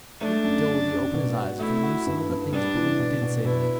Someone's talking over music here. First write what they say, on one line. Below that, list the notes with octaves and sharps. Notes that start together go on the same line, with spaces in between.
Wouldn't Dilworthy open his eyes if he knew some of the things Balloon did say to me.
A3 D4
F#2
F#2
F#2
B2
F#4
A3 E4
F#4
G2
G2
G3 D4
E3
B2
B2
B2 E4